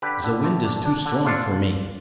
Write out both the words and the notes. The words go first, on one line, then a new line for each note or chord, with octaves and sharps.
"Ze wind is too strong for me!"
D3 G4 B4
D3
A3
D4
D4
D3
D4 F4 A4